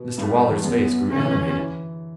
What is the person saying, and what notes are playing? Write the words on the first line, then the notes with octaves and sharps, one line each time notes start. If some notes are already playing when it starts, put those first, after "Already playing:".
Mr Waller's face grew animated.
Already playing: B2
G2 A3
E2
F#2 B3
D3 C#4
E3
D3
E3